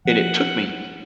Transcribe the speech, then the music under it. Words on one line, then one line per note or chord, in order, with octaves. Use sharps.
And it took me
F3 F#5